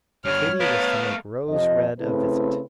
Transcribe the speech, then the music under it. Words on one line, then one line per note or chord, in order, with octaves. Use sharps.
Katy was to make Rose Red a visit.
G2 B3 C#5 F6
A3 B3 A#4 F5
F2 C3 F3 D#5
C#3 A3 C4 E4 B4